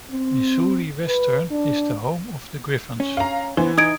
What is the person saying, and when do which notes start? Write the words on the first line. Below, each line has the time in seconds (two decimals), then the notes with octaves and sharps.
Missouri Western is the home of the Griffons.
0.11 C4
1.07 B4
1.51 D4
3.00 C#4
3.17 F5 A#5
3.57 E3 B3 C5
3.78 D#4 D#6 G#6 D7